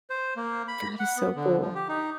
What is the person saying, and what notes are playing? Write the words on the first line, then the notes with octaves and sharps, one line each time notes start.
That is so cool.
C5
A#3
B5
F#5
B3
D3
F3
G4
D#4